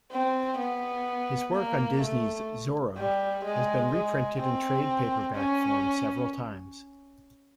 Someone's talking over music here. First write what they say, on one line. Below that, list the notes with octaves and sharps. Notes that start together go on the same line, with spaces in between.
His work on Disney's "Zorro" has been reprinted in trade paperback form several times.
C4
B3
A#3
A3
G3
G#3
G#3
C4
C#4